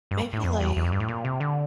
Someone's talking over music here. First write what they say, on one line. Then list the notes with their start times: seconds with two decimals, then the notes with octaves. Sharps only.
Maybe, like
0.11 G2
0.33 A2
0.43 F2
0.60 E2
0.76 E2
0.84 F2
0.92 G2
1.00 A2
1.08 A#2
1.25 C3
1.40 D3